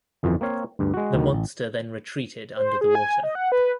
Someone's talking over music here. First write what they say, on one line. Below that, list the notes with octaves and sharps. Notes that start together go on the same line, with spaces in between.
The monster then retreated under the water.
G1 F2 E3 F#4
A#3 C4 C#5 F5
D2 G2
G#3 F#4
D2 D#3 F#3
A1
C5
G#4
G#5
D#5
F#5
B4